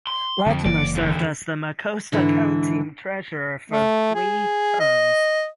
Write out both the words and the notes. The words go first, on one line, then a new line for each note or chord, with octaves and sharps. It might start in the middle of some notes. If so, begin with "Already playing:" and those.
Latimer served as the Mecosta County treasurer for three terms.
C6
F2 D3 F3
F#1 E3 A#3 D5
E2 D3
G#2 D3 E3 E4
A3
G#4
D#5